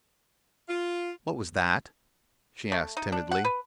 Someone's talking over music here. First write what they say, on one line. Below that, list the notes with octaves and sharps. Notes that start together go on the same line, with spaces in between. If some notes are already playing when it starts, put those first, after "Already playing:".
"What was that?" she asked timidly.
F4
A3
D#4
D4
F#5
B4